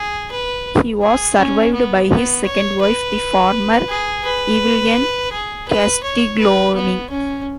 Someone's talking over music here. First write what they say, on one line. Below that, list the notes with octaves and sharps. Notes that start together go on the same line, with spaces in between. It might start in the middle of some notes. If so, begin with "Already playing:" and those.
He was survived by his second wife, the former Evelyn Castiglioni.
Already playing: G#4
B4
G#4
C#4
B3
B3
C#5
B4
G#4
B4
G#4
B4
C#5
B4
B3
C#4